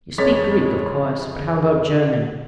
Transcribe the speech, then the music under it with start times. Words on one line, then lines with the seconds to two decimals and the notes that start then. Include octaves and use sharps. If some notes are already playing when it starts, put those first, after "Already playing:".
You speak Greek, of course; but how about German?'
0.18 F2 G#3 C#5 A6 B6